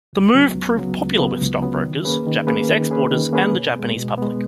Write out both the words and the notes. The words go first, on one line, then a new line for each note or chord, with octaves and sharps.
The move proved popular with stock brokers, Japanese exporters, and the Japanese public.
C#2
C#3 F#3 B3
C#2
C#3 F#3 B3
C#2
C#3 F#3 B3
C#2
C#3 F#3 B3
D#3
A#3 C#4 G#4 B4
D#3
A#3 C#4 G#4 B4
D#3
A#3 C#4 G#4 B4
D#3
A#3 C#4 G#4 B4
B2
G#3 B3
B2
G#3 B3